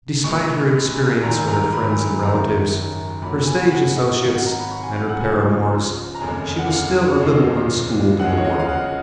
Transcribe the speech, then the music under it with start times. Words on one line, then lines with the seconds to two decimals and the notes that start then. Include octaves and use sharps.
Despite her experience with her friends and relatives, her stage associates, and her paramours, she was still a little unschooled in the world.
0.23 A#1 A#2 G#3 C#6
1.23 A#1 G#2 D#3 A#5
1.48 A#5
1.72 B5
2.22 F#1 F#2 D#3 A#5
3.21 B1 A#2 F#3 B5
3.47 G#5
3.71 F#5
3.96 D#5
4.21 G#1 G#2 F#3 F5
4.34 F#5
4.46 A#5
4.59 B5
4.71 C#6
4.83 G#5
4.96 F5
5.09 F#5
5.21 C#2 C#3 F3 G#5
6.15 A#5
6.20 F1 D#2 C#3 G#3 G#5
6.58 F#5
6.70 F5
7.19 D#2 C#3 F3 G#3
8.19 C#2 C#3 F3 G#3 F#5
8.37 C#5
8.44 D#5
8.59 F5
8.69 F#5